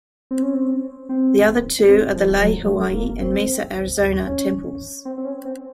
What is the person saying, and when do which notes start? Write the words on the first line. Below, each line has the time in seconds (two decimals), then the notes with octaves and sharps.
The other two are the Laie Hawaii and Mesa Arizona temples.
0.31 C4
0.43 C#4
0.54 C4
1.09 C4
1.89 C4
2.15 F3
2.41 F#3
2.63 F#3
2.68 A3
2.94 A#3
3.21 C4
4.26 C#4
5.05 C4
5.18 C4
5.25 C#4
5.45 C4